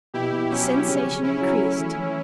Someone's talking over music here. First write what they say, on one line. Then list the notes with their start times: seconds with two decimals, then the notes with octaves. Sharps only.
The sensation increased.
0.14 B2 E4 G4
0.32 B2
0.50 F#3 C#4 E4
0.68 F#3
0.87 C#3 C#4
1.05 C#3
1.23 C#3 C#4 E4
1.41 F#3
1.59 A3
1.78 E3
1.96 E3